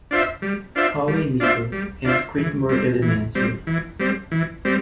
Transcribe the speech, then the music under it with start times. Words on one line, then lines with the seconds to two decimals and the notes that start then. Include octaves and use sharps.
Hawley Middle, and Creedmoor Elementary.
0.11 D4 F4 C5 E5
0.42 G3
0.75 D4 F4 C5 E5
1.08 G3
1.40 D4 F4 C5 E5
1.72 G3
2.05 D4 F4 C5 E5
2.37 E3
2.69 G3 C4
3.02 E3
3.35 G3 C4
3.67 E3
4.00 G3 C4
4.31 E3
4.65 G3 C4